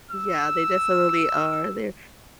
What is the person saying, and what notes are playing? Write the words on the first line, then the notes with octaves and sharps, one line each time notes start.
Yeah, they definitely are, they're
E6